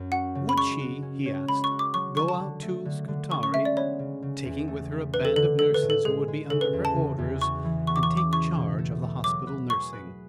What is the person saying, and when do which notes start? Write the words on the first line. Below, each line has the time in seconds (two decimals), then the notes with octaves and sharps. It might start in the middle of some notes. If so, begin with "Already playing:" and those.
Would she, he asked, go out to Scutari, taking with her a band of nurses who would be under her orders, and take charge of the hospital nursing?
Already playing: F#2
0.12 F#4 F#5
0.35 C#3
0.49 B5
0.58 G#3 C#6
0.81 F#4
1.02 C#4
1.26 C#5
1.49 G#3 B5
1.64 C#6
1.71 F#4
1.79 D6
1.94 F#3 C#6
2.17 D3 C#6
2.28 A5
2.39 D3
2.62 A3
2.85 D3
3.08 D3
3.31 C#4 C#6
3.43 C#6
3.54 G#3 E5
3.65 D5
3.77 B3 C#5
3.99 C#3
4.22 C#3
4.45 E2
4.68 A3
4.91 A3
5.14 D4 B4
5.25 A4
5.36 D3 A4
5.59 G#3 A4
5.74 B4
5.82 A2
5.90 A4
6.05 G#3 G#4
6.28 G#3
6.50 C#3 A4
6.61 B4
6.73 E2
6.85 A5
6.96 C#3
7.18 E2
7.41 F#4 C#6
7.65 E3
7.87 B3 C#6
7.96 D6
8.03 C#6
8.10 C#3
8.17 D6
8.33 E4 C#6
8.56 B2
8.78 A3
9.02 A3
9.24 F#3 D6
9.47 B4
9.69 G#4 C#6
9.93 B4